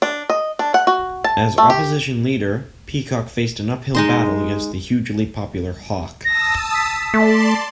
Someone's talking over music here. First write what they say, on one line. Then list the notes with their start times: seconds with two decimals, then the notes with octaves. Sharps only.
As Opposition Leader, Peacock faced an uphill battle against the hugely popular Hawke.
0.02 D4
0.30 D#5
0.59 D4
0.74 F#5
0.87 F#4
1.24 A5
1.58 A3
1.70 G4
3.95 G#3 D#4 C6
6.25 A5 D#6 E6 A#6
6.74 B6
7.14 A3 D5 A5 C6